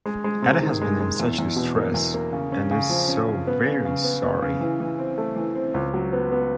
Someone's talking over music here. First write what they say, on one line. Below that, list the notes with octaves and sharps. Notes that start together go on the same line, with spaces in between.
Ada has been in such distress, and is so very sorry.
G#3
G#3
C3
D#3
G#3
G#3
E2
E2
B2
A#3
E2
A#3
C#3
C#4
C#3
F3
C#4
C#3
B3
C#3
C#3
B3
B3
C#3
E3
E3
C4
A3
E3
C4
C#2
F#3
B3
B3